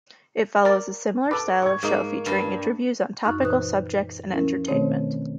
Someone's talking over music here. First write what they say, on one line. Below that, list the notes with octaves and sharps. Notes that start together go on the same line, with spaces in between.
It follows a similar style of show, featuring interviews on topical subjects and entertainment.
A#4 D5
A4 B4 D6
C#6 G#6
G#2 A#3 D#4
G2
F#2 D#4 C#6 F6 F#6
A#2 E3 B4 C5 D#6 F#6
F3 C#4 E4 A#4
B2 D#3 A3 C4 C5 C#5